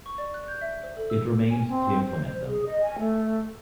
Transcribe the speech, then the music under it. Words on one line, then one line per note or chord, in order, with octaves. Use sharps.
It remained to implement them.
C#6
D5
F#6
G6
E5
C5
A4
E6
G#5
C4
C5
G#4
D#5
G#5
A3